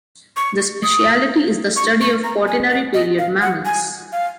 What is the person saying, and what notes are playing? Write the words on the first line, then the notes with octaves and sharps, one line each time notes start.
The specialty is the study of quaternary Period mammals.
C#6
D#6
C#6
C#6
A#5
G#5
F#5
D#5
F5
F#5
G#5
F5